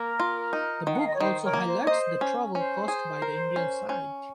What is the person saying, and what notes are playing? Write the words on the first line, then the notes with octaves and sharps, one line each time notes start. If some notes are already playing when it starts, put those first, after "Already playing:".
The book also highlights the trouble caused by the Indian side.
Already playing: A#3 A#4
F4
D#4
D#3 F#5
F5
D#5
C#5
D#3 C5
A#4 C#5
A#3
C5
C#5
C5 D#5
C#4
C#4 C5
G#4
A#4
C#4
C#4